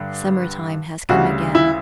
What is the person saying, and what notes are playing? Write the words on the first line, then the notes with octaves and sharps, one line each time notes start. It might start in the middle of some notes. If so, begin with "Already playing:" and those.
Summer-time has come again.
Already playing: G2 D3
D2 C#3 G3 F#4
E4